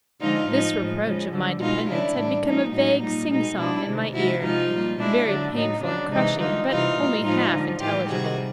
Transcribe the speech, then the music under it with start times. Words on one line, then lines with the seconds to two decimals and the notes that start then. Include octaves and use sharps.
This reproach of my dependence had become a vague sing-song in my ear: very painful and crushing, but only half intelligible.
0.21 D3 F3 G#3 D#4 F4
0.49 A2 F3 G#3 D#4
0.77 A2 F3 G#3
1.06 C#3 F3 G#3
1.34 D3 G3
1.61 B2 G#3 D#4 F4
1.89 C#3 E3 G#3 D4 E4
2.18 A2 E3 G3 D4
2.46 A#2 F3 G#3 D#4
2.74 A2 F#3 D#4
3.02 A#2 G3 D#4
3.30 B2 G#3 D#4
3.58 B2 G#3 D4 E4
3.86 C3 D#3 G#3
4.14 C3 D#3 G#3 E4 F#4
4.43 C3 F3 G#3 D#4 F4
4.71 A#2 G3
4.99 B2 G#3 D4 E4
5.27 D3 F#3 D4
5.55 A2 F#3 D#4
5.83 C#3 F#3 D4
6.12 C3 E3 G#3 D#4
6.39 D3 G3 D#4 F4
6.68 C3 E3 G3 D#4 F4
6.96 A#2 G3
7.24 A2 F3 G#3 D#4 F4
7.53 D3 F3 G#3
7.80 A2 E3 G#3 F4 G4
8.08 C3 D#3 G3 F#4 G#4